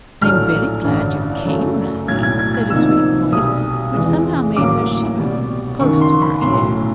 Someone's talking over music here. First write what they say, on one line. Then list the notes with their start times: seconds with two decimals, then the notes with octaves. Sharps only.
'I'm very glad you came, Radie,' said a sweet voice, which somehow made her shiver, close to her ear.
0.21 A#1 A2 F#3 A3 F6
0.84 A1 G2 D3
1.45 F#2 C#3 F#3 A3
2.08 B1 A2 F#3 G#6
2.23 G#6
2.39 G#6
2.54 G#6
2.70 C2 C3 F3 A#3 D#4 E6
3.32 B1 B2 G3 D#6
3.94 E2 C3 E3 G#3
4.56 A1 A2 F#3 A#3 D6
5.18 C2 B2 G3
5.80 F#1 F#2 D#3 C#6
6.01 C6
6.22 B5
6.42 B1 A2 F#3 C6